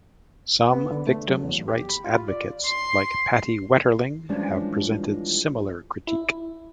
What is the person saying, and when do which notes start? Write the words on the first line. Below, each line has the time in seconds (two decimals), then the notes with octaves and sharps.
Some victims' rights advocates like Patty Wetterling have presented similar critique.
0.73 B3
0.91 D3
1.07 A3
1.28 F#3
1.43 E2
1.68 G4
1.89 B5
2.05 F4
2.28 D5
2.65 C6
4.29 E3 F3 G3 G#3 C#4 D4
6.07 E4